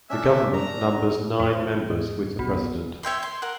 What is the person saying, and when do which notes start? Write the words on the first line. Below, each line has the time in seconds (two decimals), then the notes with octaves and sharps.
The Government numbers nine members with the president.
0.10 C#4 D4 E5 A5
0.54 A#5
1.40 F2
1.90 G#2
2.39 B1
3.03 C#5 E5 G5 C6
3.23 C6
3.42 A#4 F#5